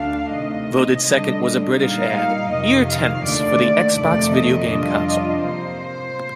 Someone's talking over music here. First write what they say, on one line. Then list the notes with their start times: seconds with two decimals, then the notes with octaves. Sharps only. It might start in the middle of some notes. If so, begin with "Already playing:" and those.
Voted second was a British ad, "Ear Tennis" for the Xbox video game console.
Already playing: D2 D3 A3 D4 F5
0.34 C3 D#3 A3 D#5
1.07 D3 G3 D4
1.80 A#2 G3 A#3 D#4 F5
2.52 F2 C3 D#3 D#5
2.89 F5
3.25 D#2 D3 A3 D5
3.98 F2 C3 D#3 A3 D5
4.34 D#5
4.71 F2 C3 G3 D4 F4 D#5
5.07 D#5
5.44 C3 F3 A#3 C5